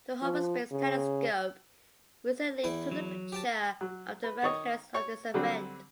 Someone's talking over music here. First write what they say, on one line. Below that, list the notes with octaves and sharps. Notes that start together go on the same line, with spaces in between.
The Hubble Space Telescope recently took a picture of the remnants of this event.
F3
C#3
E2 E4 G5
F#3
G4 G5 A5
F#3
B4
D#3 C#5 D#5
C#5
D3 F#3 G3 C4